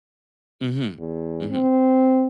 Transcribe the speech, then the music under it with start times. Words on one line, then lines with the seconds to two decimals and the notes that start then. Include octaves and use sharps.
Mhm. Mhm.
0.98 E2
1.51 C4